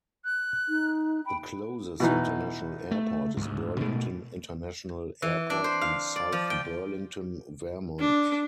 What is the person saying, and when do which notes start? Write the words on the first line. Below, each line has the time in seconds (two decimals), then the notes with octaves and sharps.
The closest international airport is Burlington International Airport in South Burlington, Vermont.
0.25 F#6
0.69 D#4
1.26 G5 B5
2.00 B2 E3 D#4
2.91 A3
3.37 D2 G#2
3.81 B2 A3
5.22 E3
5.50 D4
5.64 C5
5.81 F5
6.16 D5
6.32 F3
6.50 G5
8.00 D4